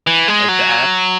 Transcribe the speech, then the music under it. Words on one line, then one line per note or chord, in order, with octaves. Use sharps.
like the app
E3
G#3
F#3